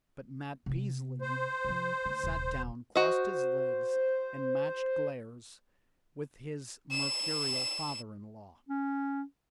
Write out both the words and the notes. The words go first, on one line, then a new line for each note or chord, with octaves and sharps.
But Matt Peasley sat down, crossed his legs and matched glares with his mercurial father-in-law.
C3 B3
C5
C3 F3
D3 A3
D#1 C3
F#4 C5 D#5
E7
C#4